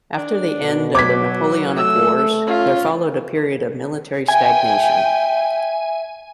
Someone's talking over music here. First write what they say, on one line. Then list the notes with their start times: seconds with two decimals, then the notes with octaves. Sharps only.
After the end of the Napoleonic Wars there followed a period of military stagnation.
0.18 D4
0.62 B2
0.95 F#3 D6 G#6 B6
1.77 A3 E6
2.47 C#4 F4
4.28 E5 G5 G#5